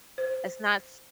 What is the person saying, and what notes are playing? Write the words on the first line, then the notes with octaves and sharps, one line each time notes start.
it's not s
C5